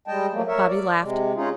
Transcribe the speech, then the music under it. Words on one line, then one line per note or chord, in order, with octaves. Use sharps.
Bobby laughed.
G3 G#3 D#5 G5 A5
F3 F#3 A3 A#3
A#4 C#5 E5
D5
C3 G#3
G#3 C#4 D#4 F4 G#4